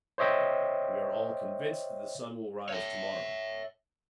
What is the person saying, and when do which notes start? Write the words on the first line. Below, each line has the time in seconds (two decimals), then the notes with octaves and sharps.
We are all convinced that the sun will rise to-morrow.
0.18 C5 C#5 D#5 E5 G5
2.69 C#5 E5